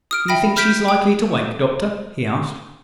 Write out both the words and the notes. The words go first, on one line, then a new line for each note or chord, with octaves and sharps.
"Do you think she is likely to wake, Doctor?" he asked.
D#6 F6 D7
E5 G5 B5 A#6
F6 G6 B6 D7
G5